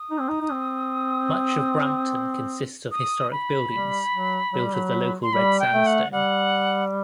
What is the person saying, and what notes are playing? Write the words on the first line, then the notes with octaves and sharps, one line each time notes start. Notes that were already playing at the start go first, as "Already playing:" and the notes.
Much of Brampton consists of historic buildings built of the local red sandstone.
Already playing: D#6
D#4
C4
D#4
D#4
C4
D#6
B5
G3
F#3
F#3
G3
F#3
C6
G3 B5
G5
A3
F#5
G3 F#5